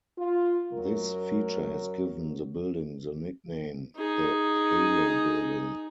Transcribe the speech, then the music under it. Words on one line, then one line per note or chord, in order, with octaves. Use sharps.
This feature has given the building the nickname the "Halo Building".
F4
F#2 F#3 A#4
D#4 G#4